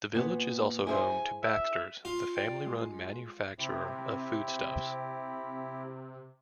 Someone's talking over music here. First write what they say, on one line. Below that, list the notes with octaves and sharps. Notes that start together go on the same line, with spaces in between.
The village is also home to Baxters, the family-run manufacturer of foodstuffs.
A#2 B3
E4 G#4 C5 G#5
E5
F4
D5 G5
G#3
C3 C4 E4 G4